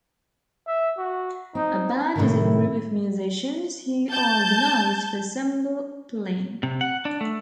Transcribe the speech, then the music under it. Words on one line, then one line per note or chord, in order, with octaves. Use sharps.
A band is a group of musicians who are organized for ensemble playing.
E5
F#4
C4 D#4
A2 C3 D#3 E4
A5 G6
C3
F#5
D4
A3